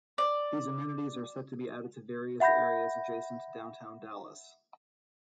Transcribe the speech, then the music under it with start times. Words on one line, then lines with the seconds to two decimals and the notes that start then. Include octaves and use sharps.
These amenities are set to be added to various areas adjacent to downtown Dallas.
0.18 D5
2.40 E5 F#5 B5 G6 A#6